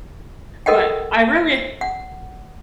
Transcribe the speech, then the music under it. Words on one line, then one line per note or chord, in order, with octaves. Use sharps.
But I really
A4 A#4 D#5 F#5 G5
F#5